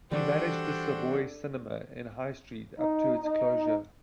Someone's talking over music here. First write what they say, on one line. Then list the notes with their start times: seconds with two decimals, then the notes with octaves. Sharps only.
He managed the Savoy Cinema in High Street up to its closure.
0.11 E3 G3 D4 F#4 A4 C5 G5
2.79 D#4
3.24 D#4